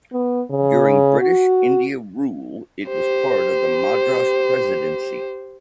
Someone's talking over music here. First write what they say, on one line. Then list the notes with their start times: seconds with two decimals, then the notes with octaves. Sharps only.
During British India rule it was part of the Madras presidency.
0.12 B3
0.50 C#3
1.21 F#4
2.88 G4 C5